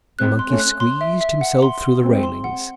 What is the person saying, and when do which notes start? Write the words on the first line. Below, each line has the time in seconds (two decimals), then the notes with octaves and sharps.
The monkey squeezed himself through the railings.
0.19 G#3 C4 F#6
0.39 C6
0.49 A3 C#4
0.60 F#6
0.80 C6
1.01 E5
1.21 E5
1.41 F#5
1.63 C6
1.83 F#5
2.03 G#3 C4 E6
2.23 C6
2.44 F#5